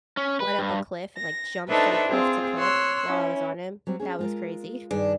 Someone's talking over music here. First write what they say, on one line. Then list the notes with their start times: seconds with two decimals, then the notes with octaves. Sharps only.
went up a cliff and like jumped from cliff to cliff while I was on him. That was crazy.
0.17 C#4
0.40 B4
0.59 G2
1.17 A#6
1.69 D4 D#4 A4 B4 C5 E5
2.08 C4 F4 G#4
2.58 C#5 C6 E6 F#6
3.05 C#4 E4
3.87 F#3 G3 C4
4.00 C#4 D4 G#4
4.19 G#3 F4 A#4
4.91 G2 D#3 D4 G#4